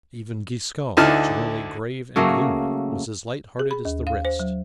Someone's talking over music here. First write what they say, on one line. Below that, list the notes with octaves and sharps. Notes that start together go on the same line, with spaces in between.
Even Giscon, generally grave and gloomy, was as light hearted as the rest.
D2 D3 D#4 E4 A5 F6
C#3 F#3 A3 A#3
G#4
B5
D#2
F5
C5
F#3